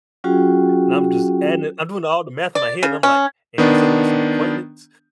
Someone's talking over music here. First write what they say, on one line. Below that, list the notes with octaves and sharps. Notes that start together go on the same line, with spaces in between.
and I'm just adding it I'm doing all the math in my head, and I'm like, "and you said it's just an acquaintance?"
F#3 C#4 F4 F#4 G#4 G5
D5
C#3
C#4
D#3 B3 D4